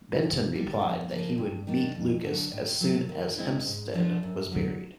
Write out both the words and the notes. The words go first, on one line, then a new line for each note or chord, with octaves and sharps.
Benton replied that he would meet Lucas as soon as Hempstead was buried.
G2
D3 G3
F2
C#3 F3 A#3
G2
D#3 F#3 A#3 D4
F2
D3 F#3
A2
F#3 A3
D#3
G#3 C4 E4
G#2
F3 A3 D4 F4
F#2
D3 F#3 B3